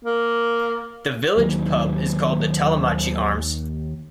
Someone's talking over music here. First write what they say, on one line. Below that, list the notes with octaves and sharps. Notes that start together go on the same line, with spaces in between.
The village pub is called the Tollemache Arms.
A#3
D#2 D#3 E3 F#3